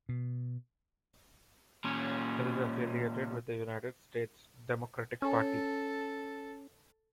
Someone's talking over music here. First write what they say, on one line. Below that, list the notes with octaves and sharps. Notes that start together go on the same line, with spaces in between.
It is affiliated with the United States Democratic Party.
B2
A#2 C#4
C#4 A4